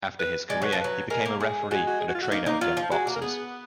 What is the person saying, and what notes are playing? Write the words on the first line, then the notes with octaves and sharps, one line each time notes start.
After his career, he became a referee and a trainer of young boxers.
B4
G#3 D5
F#3 B4
F3
F#3 B4
G#3 A#4
A#3
G#3 G#4
G#4
G#3 F#4
F#4
G#4
F#4
F4
F#4
A#3 D#4
A#3 D#4
F#3 F4
F3
G#3 F#4
A#3
A#4
B3 G#4